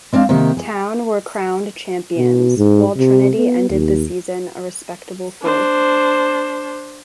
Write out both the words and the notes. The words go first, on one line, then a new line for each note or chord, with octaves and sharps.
Town were crowned champions, while Trinity ended the season a respectable fourth.
G#3 C4 D4 F5
C3 D#3 A#3 G4
G#4
B2
G#2
C3
B3
D#2
D4 C5